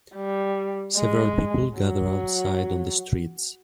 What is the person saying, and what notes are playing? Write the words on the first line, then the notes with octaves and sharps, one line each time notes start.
Several people gather outside on the streets.
G3
G#3
F#3